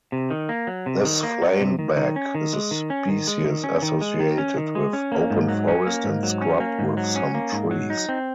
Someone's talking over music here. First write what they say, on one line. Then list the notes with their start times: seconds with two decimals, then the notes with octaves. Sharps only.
This flameback is a species associated with open forest and scrub with some trees.
0.12 C3
0.30 D#3
0.49 A#3
0.67 F#3
0.86 C3
1.05 D#3
1.23 A#3
1.42 F#3
1.60 C3
1.79 D#3
1.97 D#3
2.16 C#4
2.35 D#3
2.53 G#3
2.71 D#3
2.90 C#4
3.09 D#3
3.27 G#3
3.45 D#3
3.64 C#4
3.82 D#3
4.01 G#3
4.19 D#3
4.38 C#4
4.57 D#3
4.75 G#3
4.93 C#4
5.12 A#3
5.30 G#2
5.49 F#3
5.68 C#4
5.87 A#3
6.04 G#2
6.23 F#3
6.41 C#4
6.60 A#3
6.79 G#2
6.97 F#3
7.15 C#4
7.34 A#3
7.52 G#2
7.71 F#3
7.90 D#4
8.09 C4